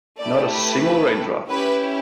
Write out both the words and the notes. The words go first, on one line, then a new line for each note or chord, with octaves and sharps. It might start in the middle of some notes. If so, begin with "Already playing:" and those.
Not a single raindrop!
A3 E4 G4 D5
B4
C#4 E4 G4 B4